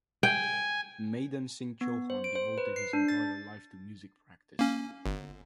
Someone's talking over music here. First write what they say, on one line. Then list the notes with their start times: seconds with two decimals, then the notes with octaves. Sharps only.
Madan Singh Chauhan devoted his entire life to music practice.
0.23 G5 G#5
1.81 B3
2.10 C5
2.24 D7
2.35 C5
2.58 B4
2.76 C7
2.93 D4
3.08 A6
4.59 A#3 C#4
5.06 G1